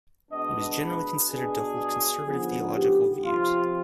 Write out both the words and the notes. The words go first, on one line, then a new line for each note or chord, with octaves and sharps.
He was generally considered to hold conservative theological views.
B2 G#3 B3 D4 D#5
B4
B2 B3 D4 G#4
D3 F3 B3 D#4
G4
C3 F3 C4 F4